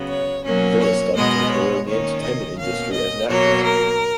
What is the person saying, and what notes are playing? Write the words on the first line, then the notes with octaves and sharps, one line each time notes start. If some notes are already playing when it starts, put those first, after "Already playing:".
Villa started her career in the entertainment industry as an actress.
Already playing: C#3 F#3 B3
C#5
B2 F#3 A#3 C#4
C#5
B2 G#3 B3 D#5
C#5
D#3 A#3 C#4 C#5
D#5
B2 A#3 C#4 F5
D#5
B2 F#3 A#3 C#5
A#4